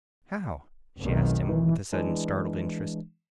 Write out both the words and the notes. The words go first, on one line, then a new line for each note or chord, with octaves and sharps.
"How?" she asked him with a sudden startled interest.
F1 B1 D#3
E3
E3 G#3 D4